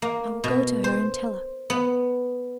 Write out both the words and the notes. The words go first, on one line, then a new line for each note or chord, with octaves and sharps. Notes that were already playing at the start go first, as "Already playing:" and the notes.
'I will go to her, and tell her.
A#3
B2
C5
B3